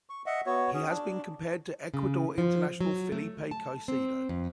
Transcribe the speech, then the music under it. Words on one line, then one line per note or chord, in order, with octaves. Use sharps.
He has been compared to Ecuador international Felipe Caicedo.
C#6
D#5 E5 F#5
B3 F#4 C#5
C#4 F#4 G#4
D4
C#3
F3
F#3
A3
A5
C4
F2